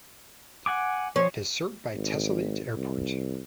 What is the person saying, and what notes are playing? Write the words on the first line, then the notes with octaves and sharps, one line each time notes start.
It is served by Tessalit Airport.
F#5 G#5 D6
F3 C#4
G#1
C2